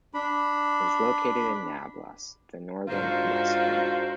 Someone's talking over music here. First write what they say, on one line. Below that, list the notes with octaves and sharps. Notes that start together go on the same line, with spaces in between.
It is located in Nablus, in the northern West Bank.
D4 B5
G#2 D4 F4 F#4 A#4 C5